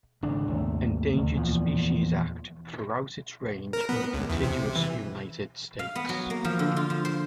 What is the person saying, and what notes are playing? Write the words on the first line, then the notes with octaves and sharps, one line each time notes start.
Endangered Species Act throughout its range in the contiguous United States.
G#1 C#3 D4
G#1 D#2 C3 A3
D2
E2 A#2 F3
A#4
B3
C#2
E2
C3
E3
F5
B3
F#3
A#3
F3
D3
F4
F3
C5